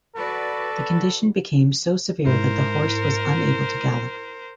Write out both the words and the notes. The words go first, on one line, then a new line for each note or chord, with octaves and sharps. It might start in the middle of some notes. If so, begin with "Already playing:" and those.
The condition became so severe that the horse was unable to gallop.
F#4 A4 B4 D5
G#2 E4 A#4 C5